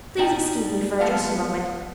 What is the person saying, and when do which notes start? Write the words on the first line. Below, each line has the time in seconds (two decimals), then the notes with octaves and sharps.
Please excuse me for just a moment.
0.17 B2 G3 D#4 G5 G#5
1.00 F3 A3 B3 F4 F5